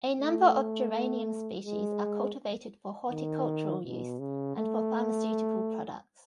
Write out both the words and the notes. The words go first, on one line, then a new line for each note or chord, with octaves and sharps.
A number of geranium species are cultivated for horticultural use and for pharmaceutical products.
A3
G#3
D#3
B2
C#3
A3